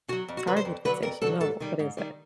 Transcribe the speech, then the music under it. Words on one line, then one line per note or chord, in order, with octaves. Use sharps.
Target fixation. No. What is that?
D3 F#4
F#3
F2
F#4
D3 F#3 B4
C5
F2
D3 F#3 B4
F2 A#4
D3 F#3 A4
G#2 A4
D#3 G3
G#2
D#3 G3